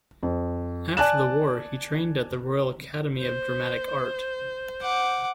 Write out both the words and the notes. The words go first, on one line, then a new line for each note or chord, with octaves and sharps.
After the war he trained at the Royal Academy of Dramatic Art.
F2
D5 G#5 A5 D6 F#6 E7
C5
F#5 D6